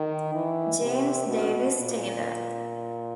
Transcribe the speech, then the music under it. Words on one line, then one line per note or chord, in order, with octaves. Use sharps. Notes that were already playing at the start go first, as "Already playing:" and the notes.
James Davis Taylor.
Already playing: D#3
E3
C3
B2
A#2